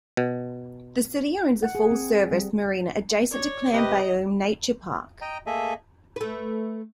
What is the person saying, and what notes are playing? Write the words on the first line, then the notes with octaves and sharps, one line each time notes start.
The city owns a full-service marina adjacent to Clam Bayou Nature Park.
B2
F#5
G#4
C4
G#4
G3
C#5 D5
C3 G4 B4 D#5
D#5 G5 A#5
A3 A#3 G#4 A4 D#5 E5
A3 B4